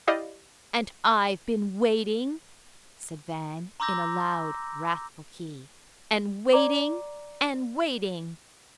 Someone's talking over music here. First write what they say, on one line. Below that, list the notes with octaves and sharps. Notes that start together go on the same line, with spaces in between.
"And I've been waiting," said Van, in a loud wrathful key, "and waiting--and waiting!"
E4 G4 D5 D#5 F5
A#5 C6 D6 E6 G6 A#6
D5 A#5 D6